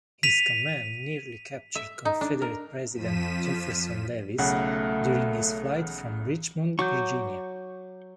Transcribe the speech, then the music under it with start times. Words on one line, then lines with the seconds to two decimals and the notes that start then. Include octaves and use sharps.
His command nearly captured Confederate president Jefferson Davis during his flight from Richmond, Virginia.
0.23 B6 D#7 F7
1.75 E5
2.05 D#4
2.21 D4
2.42 A#4
2.93 F2 F3 B6 D#7 E7
4.38 B1 C#3 A3 F#5
6.79 F#3 C#6 D6 G6